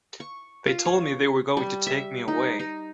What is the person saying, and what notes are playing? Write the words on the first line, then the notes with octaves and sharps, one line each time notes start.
They told me they were going to take me away.
C#6
F4
C#5
G3
E5
D#4
D#4